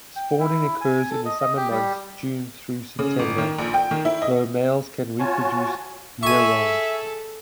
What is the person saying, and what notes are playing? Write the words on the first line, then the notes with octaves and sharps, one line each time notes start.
Spawning occurs in the summer months, June through September, though males can reproduce year-round.
G5
E4
G#5
A4
D#5
D#5
G4
G3
C#3
G1
D#3
A#1
G5
D#3
E4
D#5
F4 F#4 C#5 G#5 A5
G#4 A4 E5 G#5 C#6